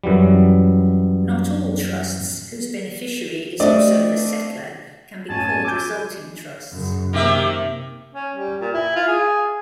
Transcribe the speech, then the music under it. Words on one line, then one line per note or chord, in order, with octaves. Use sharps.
Not all trusts whose beneficiary is also the settlor can be called resulting trusts.
F#2 E3 F#3 G3
A3 C4 D4 D5 D#5
A1 C#4 G#5 A5 G#6
D6 E6 G6
F#2 C#3
C3 D#3 A#3 G4 E5
C#4
G3
A#2
E4
F4
G#4